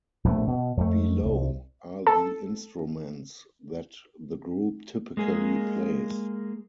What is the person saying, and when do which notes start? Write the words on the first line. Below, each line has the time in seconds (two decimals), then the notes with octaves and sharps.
Below are the instruments that the group typically plays.
0.24 A#1 B2 D#3 A3
0.47 B2
0.77 F2 A3
1.25 C2
2.07 A4
5.17 G#3 A#3 G#4